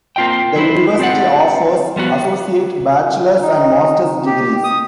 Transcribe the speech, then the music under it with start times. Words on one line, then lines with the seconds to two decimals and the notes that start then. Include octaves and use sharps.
The university offers associate, bachelor's, and master's degrees.
0.16 A#3 C4 F4 D#5 G5
0.56 F#3 E4 C5
1.00 C4 D5 F#5
1.96 F3 G3 B3 F#4
3.42 D#4
4.26 G4
4.64 D#6